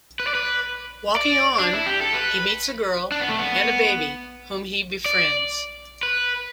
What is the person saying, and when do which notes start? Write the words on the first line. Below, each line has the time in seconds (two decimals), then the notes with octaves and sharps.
Walking on, he meets a girl and a baby, whom he befriends.
0.20 B4
0.27 D5
0.35 B4
1.16 D5
1.59 D4
1.73 E4
1.86 G4
2.01 A4
2.14 B4
3.12 D4
3.20 B3
3.29 A3
3.39 B3
5.06 D5
6.03 B4